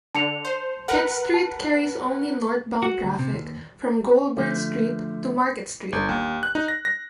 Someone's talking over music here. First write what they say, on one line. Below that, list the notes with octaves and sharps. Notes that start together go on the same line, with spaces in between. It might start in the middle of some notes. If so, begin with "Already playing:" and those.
Pitt street carries only northbound traffic from Goulbern Street to Market Street.
D3 A5 C#7 F7
C5
A#4 B4 F#5
A5
F#4
D2
C3
D#2
D3 F3 A3
G1
D#2
F#6
D#4
A#6
A#6